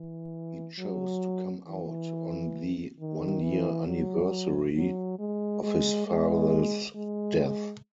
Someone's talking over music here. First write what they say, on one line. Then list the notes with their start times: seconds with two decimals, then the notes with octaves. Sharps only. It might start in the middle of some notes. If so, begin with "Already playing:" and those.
He chose to come out on the one-year anniversary of his father's death.
Already playing: E3
0.78 F#3
1.67 E3
3.00 D#3
3.42 E3
3.87 F#3
4.76 F#3
5.19 G#3
5.63 G#3
6.07 G#3
6.95 G#3